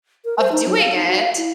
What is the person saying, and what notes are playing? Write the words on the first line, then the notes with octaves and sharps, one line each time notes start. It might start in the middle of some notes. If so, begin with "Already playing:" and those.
of doing it.
A#4
C5
D#4
F#3
F5
D#4
F#4
F5
E4